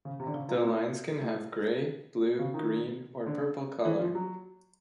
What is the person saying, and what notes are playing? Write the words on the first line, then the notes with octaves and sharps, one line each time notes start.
The lines can have gray, blue, green or purple color.
C#3
C3
D3
C#3
A#2
A2
A2
C#3
D#3
D3
E3
F3
F#3